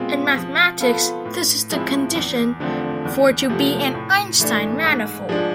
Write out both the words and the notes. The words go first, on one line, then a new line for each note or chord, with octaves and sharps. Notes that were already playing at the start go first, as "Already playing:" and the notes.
In mathematics, this is the condition for to be an Einstein manifold.
Already playing: B2 G#3 C4 F4
F3
B3 F4 A4
A2
F3 G#3 C4 E4
E2
D3 F3 A3 C4
E2
C3 F3 A3
A2
E3 A3 D4
G#2
F3 G#3 D4